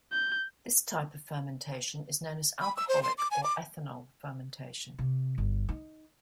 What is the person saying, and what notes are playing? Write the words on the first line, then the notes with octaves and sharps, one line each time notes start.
This type of fermentation is known as alcoholic or ethanol fermentation.
G6
B5
E6
C5
C6
D6
G#5
D6
C3
G1
D#4